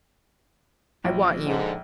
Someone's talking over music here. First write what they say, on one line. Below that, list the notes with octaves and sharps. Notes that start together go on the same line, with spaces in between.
I want you.
A#1
G#2 D3